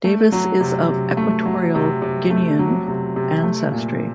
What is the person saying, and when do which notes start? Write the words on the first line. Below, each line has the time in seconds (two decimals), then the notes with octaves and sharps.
Davis is of Equatorial Guinean ancestry.
0.04 A3
0.32 F#3
0.61 C3
0.89 C3
1.17 A3
1.46 F#3
1.75 C3
2.02 C3
2.30 A3
2.59 F#3
2.88 C3
3.16 C3
3.43 A3
3.72 A#2